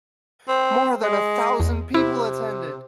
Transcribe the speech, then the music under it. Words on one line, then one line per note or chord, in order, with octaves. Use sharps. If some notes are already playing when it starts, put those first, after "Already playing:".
More than a thousand people attended.
C4
G#3
E2
C3 E4